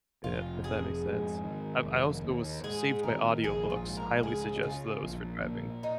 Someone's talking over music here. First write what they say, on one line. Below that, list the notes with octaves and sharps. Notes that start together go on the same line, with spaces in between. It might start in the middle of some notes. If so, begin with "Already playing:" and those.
yeah, if that makes sense. I've I also was saved by audiobooks. Highly suggest those for driving.
F1 F4
F2 G#4
G#2
D#3
F1
D#2
G#2 G#4
D#3 A#4
A#1 G#4
F4
G#2
A#4
C#2 G#4
C#3 F4
A#1
A#2
D#4